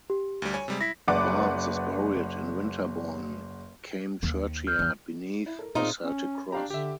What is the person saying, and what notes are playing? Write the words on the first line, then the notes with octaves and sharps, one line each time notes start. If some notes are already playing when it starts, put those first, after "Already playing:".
Barnes is buried in Winterborne Came churchyard beneath a Celtic cross.
G4
D2 G3
C#5 G#5
C3 G3 G#3
E4 A#6 B6
F#1 B4 D5 F#5 D6
D#2
F6 G6
E2
E4
A4 A#4
A#2 C4 D#4 F4 G#4 A#4
C#4
D4 G4 F5 A#5
D3 G4 E5